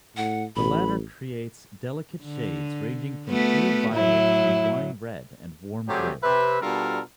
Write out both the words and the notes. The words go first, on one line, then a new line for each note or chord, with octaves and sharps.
The latter creates delicate shades ranging from pure violet through wine-red and warm grey.
A2 F#5
A1 B5
D3
A3 B3 F#4
A2 F#3 E4
C3 F#3 G3 A3 G4 G#4
C3 B4 E5
B2 G3 D4 F4 A4 A#4